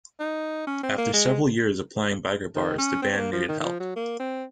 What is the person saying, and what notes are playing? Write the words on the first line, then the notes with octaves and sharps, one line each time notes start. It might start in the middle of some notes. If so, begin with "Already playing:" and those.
After several years of playing biker bars the band needed help.
D#4
C#4
C4
A#3
G#3
D#3
C#4
C4
C4
A#3
F3
D#3
D#3
F3
F#3
A#3
C4